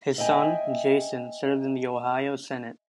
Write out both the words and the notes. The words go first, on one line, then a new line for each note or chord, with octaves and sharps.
His son, Jason, served in the Ohio Senate.
D#5 E5 G5 G#5